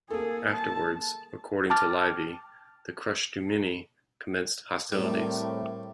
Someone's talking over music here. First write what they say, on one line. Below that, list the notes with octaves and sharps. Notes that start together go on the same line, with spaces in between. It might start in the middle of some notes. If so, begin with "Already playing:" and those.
Afterwards, according to Livy, the Crustumini commenced hostilities.
A#3 G#4 A4
A5
G5 A5 D6 F6 A6
A2 G3 C4 A#4